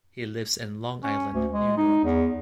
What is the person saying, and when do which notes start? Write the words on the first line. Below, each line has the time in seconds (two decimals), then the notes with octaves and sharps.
He lives in Long Island, New York.
1.03 C#4
1.34 D2
1.53 G#3
1.77 D#4
2.04 E2